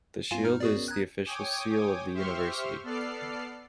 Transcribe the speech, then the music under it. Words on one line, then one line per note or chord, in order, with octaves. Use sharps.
The Shield is the official seal of the university.
G2 B3 F4 F5 G#5
D#4 F6
F#4 G#4 D5
B3 C#4 A#4
G5 A#5 D#6 F#6 G#6
C#5 G5 G#5 D6 D#6
G4 C5 E5 C6 C#6 F6
B3 A4 D5 F6 C7